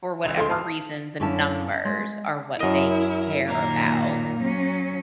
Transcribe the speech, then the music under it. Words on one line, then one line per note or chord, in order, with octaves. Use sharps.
For whatever reason, the numbers are what they care about.
C#2 E3
D2 G#3 A4 C6
F5 A5 D#6 F6
F#2 D3 C#4 E4 F5 A5
G#3
F#2 E4 A#4 D#5
A#2 D#3 A#3 A#5
F#3 C#4